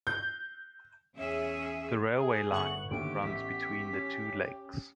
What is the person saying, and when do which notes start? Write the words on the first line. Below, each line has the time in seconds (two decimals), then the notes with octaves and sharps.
The railway line runs between the two lakes.
0.07 G6
1.16 E2 C#4 G#4 E5
2.17 G#4
2.52 G1 B3 E5 F#5 C#6 F#7
2.91 D#2 D3 G4 E5 D7
3.23 A1 E5 B6
3.93 C#4